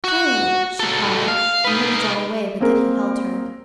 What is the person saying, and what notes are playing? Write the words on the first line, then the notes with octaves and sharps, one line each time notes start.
"Frale!" she cried, and would have drawn away but that he held her.
F#4 F#5
F#3 A4
F5
D#4 B4
A#3 C4 G#4 A#4